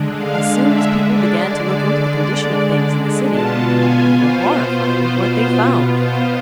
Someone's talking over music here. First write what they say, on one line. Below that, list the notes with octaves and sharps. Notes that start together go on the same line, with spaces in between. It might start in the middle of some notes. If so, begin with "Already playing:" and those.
As soon as people began to look into the condition of things in the city they were horrified at what they found.
Already playing: D3 G#3 D4
F5
E5
D5
B2 B3 F4 A5
G#5
C5
C5